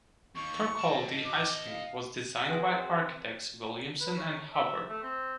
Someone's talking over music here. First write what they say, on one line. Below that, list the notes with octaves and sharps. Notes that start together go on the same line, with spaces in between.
Kirkcaldy Ice Rink was designed by architects Williamson and Hubbard.
D#2 C#6
D#5 A5
D6
F5
C4 F#4 G#4 B4 E5 F#5 G#5
B4
C#5
E5
A3
C4